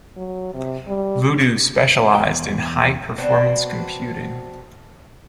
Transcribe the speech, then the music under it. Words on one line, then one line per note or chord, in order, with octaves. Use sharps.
Voodoo specialized in high performance computing.
F#3
C3
G3
E2 G5
B3 C4 D4 F#4